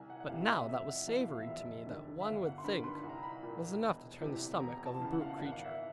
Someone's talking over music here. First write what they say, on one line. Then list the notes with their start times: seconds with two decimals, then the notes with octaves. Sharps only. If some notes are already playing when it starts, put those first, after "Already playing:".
But now that was savory to me that one would think was enough to turn the stomach of a brute creature.
Already playing: C2 G#5
0.10 F#5
0.20 F#5
0.29 C3 E3 F5
0.42 E5
0.49 D#5
0.68 F1 E5
0.88 F#5
1.08 E2 B2 F5
1.28 E5
1.35 F5
1.43 F1 E5
1.86 D#2 D3
2.20 E5
2.25 G1 F5
2.45 F#5
2.58 C6
2.64 G2 D#3 B5
2.84 C6
2.97 B5
3.03 C2
3.09 A#5
3.23 B5
3.43 A#2
3.82 E1
4.21 E2 C3 E3
4.60 E1 A#5
4.86 A5
5.00 E2 C#3 E3
5.12 F#5
5.21 F5
5.29 F#5
5.38 G#1 F5
5.45 F#5
5.52 F5
5.65 E5